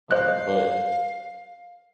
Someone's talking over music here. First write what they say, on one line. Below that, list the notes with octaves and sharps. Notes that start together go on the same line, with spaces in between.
uh, but
C5 D#5 F5 F#6